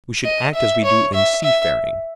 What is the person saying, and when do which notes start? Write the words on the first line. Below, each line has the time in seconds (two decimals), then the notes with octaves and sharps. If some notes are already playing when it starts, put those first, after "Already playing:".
We should act as we do in seafaring.
0.24 D#5
0.54 E5
0.84 C#5
1.13 E5
1.43 E5